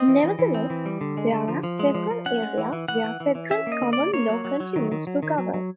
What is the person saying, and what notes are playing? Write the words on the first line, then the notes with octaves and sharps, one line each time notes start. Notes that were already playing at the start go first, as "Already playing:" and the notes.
Nevertheless, there are several areas where federal common law continues to govern.
Already playing: C4 D#5
E3
E3
E3
C4
E3
G3
D3
G#3
D3
F3
F3
G#3
F3
F3
C#4 F#5
G#3
E3
E3
E3 F#5
E3
E3
E3
C#4 E5
A#3
D#5
D3
A#3 D5
A#3 C#5
F#3
F#3
F#3
D#3
D#3
F#3
D#3
F#3
F#3